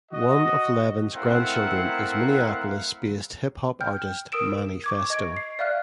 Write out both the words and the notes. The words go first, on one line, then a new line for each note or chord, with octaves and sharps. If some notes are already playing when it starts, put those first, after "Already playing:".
One of Levins's grandchildren is Minneapolis-based hip hop artist Manny Phesto.
F#4 D#5
A3 C4 E4 A#4 F5 F#5
G5 F6 G6
A#4 D#6 E6 D7 E7
C#6 D6 G#6
D#5 C#6 G#6 D7
C7
D5 E5 F5 F6 F#6